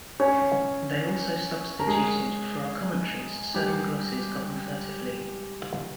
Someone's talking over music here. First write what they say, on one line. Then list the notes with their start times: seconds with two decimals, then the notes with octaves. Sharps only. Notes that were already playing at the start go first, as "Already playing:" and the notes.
They also substituted for our commentaries certain glosses gotten furtively.
0.20 C#4 C#5
1.80 A#4
1.87 G#3 G#4
3.54 G3 G4